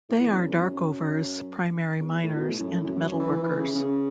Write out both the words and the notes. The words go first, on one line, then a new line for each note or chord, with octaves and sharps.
They are Darkover's primary miners and metalworkers.
A2
E2
F#2
E2
F#2
E2
A2
B2
A2
F#2
A2
F#2
F#2
F#2
E3
E3
E3
C#3
C#3